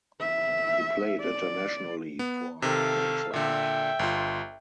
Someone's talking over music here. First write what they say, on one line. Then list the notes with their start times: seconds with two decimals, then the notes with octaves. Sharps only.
He played internationally for Montserrat.
0.20 E5
1.21 D5
2.19 B3
2.62 C3 D#3 A4 F5
3.33 A#2 D3 E5 G5
3.99 G1 F4